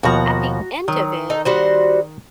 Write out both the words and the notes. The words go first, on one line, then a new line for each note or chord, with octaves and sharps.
at the end of it,
D#2 B2 F3 F#4 A#5
D#3 F#3
D#4 A4
G3 F#4 C5